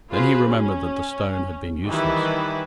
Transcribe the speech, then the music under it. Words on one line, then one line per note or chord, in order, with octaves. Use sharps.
Then he remembered that the stone had been useless.
F4 F#4 G#4 B4 C5
C#4
D#3 E3 G3 E4 B4